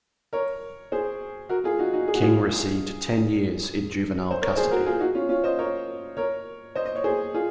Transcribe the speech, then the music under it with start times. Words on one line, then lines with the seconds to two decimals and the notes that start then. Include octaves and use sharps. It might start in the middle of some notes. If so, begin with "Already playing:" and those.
King received ten years in juvenile custody.
0.33 A#4 C#5
0.92 G#4 C5
1.49 F#4 A#4
1.64 F4 G#4
1.79 D#4 F#4
1.93 D#4 F#4
2.08 G#4
2.16 F#4
2.22 F4 G#4
4.31 C5
4.42 A#4 C#5
4.56 G#4 C5
4.71 F#4 A#4
4.86 F4 G#4
5.00 D#4 F#4
5.15 C#4 F4
5.29 C#4 F4
5.44 C5 D#5
5.59 A#4 C#5
6.17 A#4 C#5
6.75 C5 D#5
6.86 D#5
6.96 C#5
7.04 G#4 C5
7.35 F4 G#4